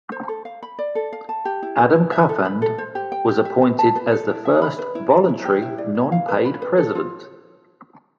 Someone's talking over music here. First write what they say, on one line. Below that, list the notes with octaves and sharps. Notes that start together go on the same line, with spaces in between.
Adam Cuthand was appointed as the first voluntary non-paid president.
C5
A4
F5
B5
D5
A4
F5
A5
G4
E4
B4
E4
E5
A4
B5
A4
C5
G4
G5
G4
E5
B4
A5
B4
A4
E4
E5
B5
B4
E4
D5
E4
G4
E4
D5
E4
F5
B4
B5
B4
A4
F4